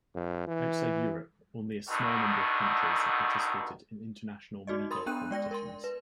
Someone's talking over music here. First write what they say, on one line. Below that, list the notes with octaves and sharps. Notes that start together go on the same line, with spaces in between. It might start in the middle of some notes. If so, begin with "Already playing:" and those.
Outside Europe only a small number of countries have participated in international minigolf competitions.
F2
E3
G2 B2 D3 D#3 A3 D#4
D#4 F#4 D5 D#5
A#4 B5 C6 D#6
B3 D4 G5 F#6 D#7
G#3 D5 G5 A#6
A#4 C6
B4